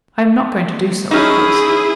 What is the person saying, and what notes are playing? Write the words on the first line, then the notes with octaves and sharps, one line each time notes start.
I am not going to do so, of course.
C#4 D#4 E4 G#4